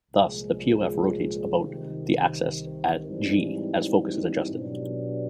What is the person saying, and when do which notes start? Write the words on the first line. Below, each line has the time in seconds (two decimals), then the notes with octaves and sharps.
Thus the PoF rotates about the axis at G as focus is adjusted.
0.10 C2 A#2 F3 G#3
1.58 C2 C3 D#3
3.05 G#2 E3 G3 C4 D#4
4.53 B2 F#3 B3 D4 G4